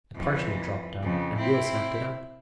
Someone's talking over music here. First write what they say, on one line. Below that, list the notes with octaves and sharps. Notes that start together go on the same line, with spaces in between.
A parchment dropped out and Will snapped it up.
F2 E3
F2 C#3
C4 E4